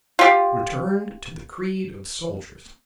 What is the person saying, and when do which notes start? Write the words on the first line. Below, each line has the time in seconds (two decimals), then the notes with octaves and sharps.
He returned to the creed of soldiers.
0.19 F4 G4